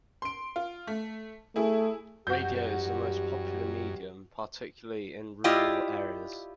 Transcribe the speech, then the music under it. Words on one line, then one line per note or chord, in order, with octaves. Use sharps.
Radio is the most popular medium, particularly in rural areas.
C6 D7
F4
A3
A3 E4 G#4
F#2 E3 G3 F#4 G4 G6
E4 F4 G4 D5 D#5